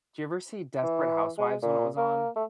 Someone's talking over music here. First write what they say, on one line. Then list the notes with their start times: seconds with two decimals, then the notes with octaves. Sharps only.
Do you ever see Desperate Housewives when it was on?
0.83 E3
1.38 G#3
1.63 A#2
1.97 A#3
2.36 A3